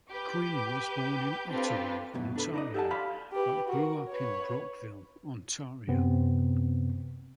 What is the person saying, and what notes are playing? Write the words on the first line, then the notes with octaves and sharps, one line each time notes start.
Quinn was born in Ottawa, Ontario, but grew up in Brockville, Ontario.
G4 B4 D6 G6
C4 D4 F4 G4 A4 B4
B1 F#2 B2
D4 A4 B4
D#4 D5 D#5
G4 A4 E5 F#5 A5
D5 F5 B5 C6
G4 B4
F#4 A#4
B4 C#5
F#2 C3 B3 C4